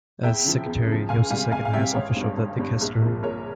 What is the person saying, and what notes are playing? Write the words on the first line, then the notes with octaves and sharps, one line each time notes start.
As Secretary, he was the second-highest official of that dicastery.
E2 E5 G5
C#3 F3
E2
C#3 F3
C#2 F5 G#5
G3 F5 G#5
C3
C#2 F5 G#5
F5
C3 G3 E5 G5
G#1 C#5 F5
G2 G3
G#1
G2 G3
A#1
A#2 F3
A#1 A#4 C#5